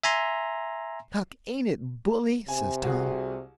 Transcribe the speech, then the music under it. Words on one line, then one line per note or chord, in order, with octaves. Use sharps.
"Huck, ain't it bully!" says Tom.
E5 G#5 A#5 C6
C3 G#5
C2 F#4 G#4